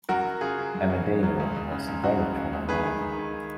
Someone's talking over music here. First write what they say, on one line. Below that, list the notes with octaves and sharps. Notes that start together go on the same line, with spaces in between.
Amedeo was a very tall man.
F#2 F#4 A#4
F#2
C#3 F4 G#4
C#3
F#2
C#3
C#3
F#2
C#2
C#2
C#3
C#2
C#3 F#4
C#2
C#3
C#2
D#3 G#4 B4
D#3
D#3
D#3